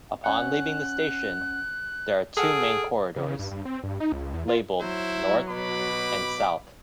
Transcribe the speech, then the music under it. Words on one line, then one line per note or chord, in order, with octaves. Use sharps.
Upon leaving the station, there are two main corridors, labeled "North" and "South".
C#4 F#5 F#6
G#4 A4 F#5 G5 F6
C#3
C#3
G2
G2
C4
G2
D#4
C#2
E2
F4
F#3 E4 C5
B2 B5 D6